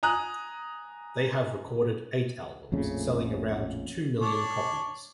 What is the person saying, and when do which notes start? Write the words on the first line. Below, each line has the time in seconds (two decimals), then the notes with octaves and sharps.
They have recorded eight albums, selling around two million copies.
0.03 G#5 A#5 D#6 F#6
2.72 A#1 F2 A2 C#3
4.21 D4 C#5